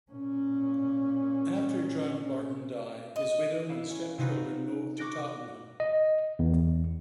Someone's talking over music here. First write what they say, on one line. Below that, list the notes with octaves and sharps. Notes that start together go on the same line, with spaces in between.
After John Barton died, his widow and stepchildren moved to Tottenham.
A#2 C#4
D#5
E4 F5
C#4
C3 D#4 F4 F#4 B4
C#6 D6 F#6 A#6 D7
D#5
E2